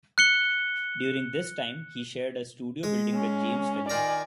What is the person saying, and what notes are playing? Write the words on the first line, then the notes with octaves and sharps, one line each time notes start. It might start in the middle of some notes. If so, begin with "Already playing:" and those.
During this time, he shared a studio building with James Welling.
F#6 C#7 G7
G#3 D#6
C#4
D#3 F4 D5 G#5 A#5